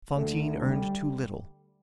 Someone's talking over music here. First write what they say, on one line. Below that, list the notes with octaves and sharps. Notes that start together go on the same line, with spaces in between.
Fantine earned too little.
D2 D3 A3
G3